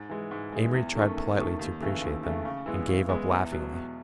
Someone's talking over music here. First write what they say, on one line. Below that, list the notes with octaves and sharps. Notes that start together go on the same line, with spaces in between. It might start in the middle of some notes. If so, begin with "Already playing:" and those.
Amory tried politely to appreciate them, and gave up laughingly.
Already playing: G#2
E3 G#3
G#2
E3 G#3
E2
D#3 A3 C#4
E2
D#3 A3 C#4
D#2
C#3 E3 A3
D#2
C#3 E3 A3
C#3
E3 G#3 B3 E4
C#3
E3 G#3 B3 E4
E2
B2 F#3
E2